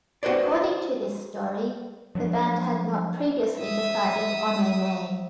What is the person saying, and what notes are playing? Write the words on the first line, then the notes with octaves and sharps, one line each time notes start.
According to this story, the band had not previously decided on a name.
F#4 B4 C5 D5
F3 F#3 B3 D4
E5 D#6